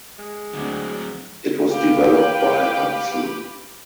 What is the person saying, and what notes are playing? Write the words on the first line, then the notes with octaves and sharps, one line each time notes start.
It was developed by Hudson.
G#3
D2 D3 F#3 C4
G4 B4 F5 G5